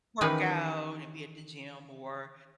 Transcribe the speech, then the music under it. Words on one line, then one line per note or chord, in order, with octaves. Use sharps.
work out and be at the gym more,
D#3 E3 C#4 D#4 G4 B4